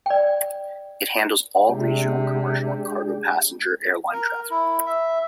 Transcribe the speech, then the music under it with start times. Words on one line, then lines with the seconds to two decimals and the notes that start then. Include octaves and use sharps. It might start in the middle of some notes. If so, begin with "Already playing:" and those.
It handles all regional commercial and cargo passenger airline traffic.
0.06 D5 G5
1.69 C3 G#3 D4 G4
4.13 A#4
4.51 E4
4.86 E5